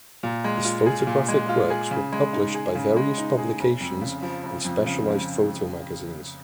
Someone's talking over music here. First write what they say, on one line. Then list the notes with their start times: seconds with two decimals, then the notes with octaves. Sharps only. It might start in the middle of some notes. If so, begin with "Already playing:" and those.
His photographic works were published by various publications and specialized photo magazines.
0.23 A#2
0.44 G#3
0.65 F4
0.86 G#4
1.07 A#2
1.28 G#3
1.49 F4
1.70 G#4
1.91 C#3
2.12 G#3
2.33 D#4
2.54 G#4
2.75 C#3
2.96 G#3
3.18 D#4
3.38 G#4
3.59 F1
3.80 F2
4.01 C#3
4.22 F3
4.44 F1
4.65 F2
4.86 C#3
5.06 F3